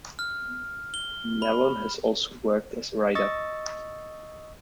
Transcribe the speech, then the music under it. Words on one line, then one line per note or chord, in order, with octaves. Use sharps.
Nallon has also worked as a writer.
F6
G7
B5
D#5 C#6 E6 A6